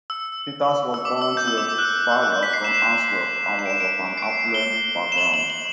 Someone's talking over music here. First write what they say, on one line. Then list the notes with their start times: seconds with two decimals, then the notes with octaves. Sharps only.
Peters was born to a father from Antwerp and was of an affluent background.
0.10 E6
0.94 E6
1.05 D6
1.22 E6
1.37 G6
1.48 E6
1.58 D6
1.69 D6
1.78 F#6
1.85 E6
2.12 E6
2.22 F#6
2.32 G6
2.43 B6
2.53 C7
2.64 E7
2.74 E7
3.59 E7
3.66 D7
3.70 E7
3.80 D7
4.18 C7
4.23 D7
4.54 G7
5.12 E7
5.18 F#7
5.34 F#7
5.50 F#7